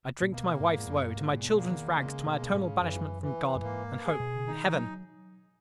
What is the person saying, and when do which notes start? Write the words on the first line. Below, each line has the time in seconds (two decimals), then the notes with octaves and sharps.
I drink to my wife's woe; to my children's rags; to my eternal banishment from God, and hope, and heaven!
0.22 A#2
0.32 B2 A#3
0.60 G#2
0.74 E2
0.88 F#2
1.15 E2 G#2
1.33 A#2
1.43 B2
1.57 A#3
1.70 D#3
1.98 C#3 G#3
2.26 B2
2.40 C#3
2.53 G#2
2.81 F#2 E3
3.22 E3
3.56 F#2
3.63 G#2 A#3
4.06 G#4
4.20 B2
4.35 C#3
4.47 D#3 D#4
4.74 F#3